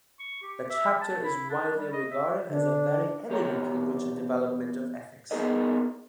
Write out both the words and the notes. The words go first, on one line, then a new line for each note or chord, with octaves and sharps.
This chapter is widely regarded as a very elegantly written development of ethics.
C#6
G4
E5
A5
E4
D4
G3
D#5
E5
D3 D4
E2 G4 C#5 A#5
B3 D#4 G#4 A#4 B4 D#5